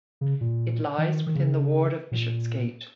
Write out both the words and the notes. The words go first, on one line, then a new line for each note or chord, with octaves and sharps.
It lies within the ward of Bishopsgate.
C#3
A#2
D#3
D#3
C#3
A#2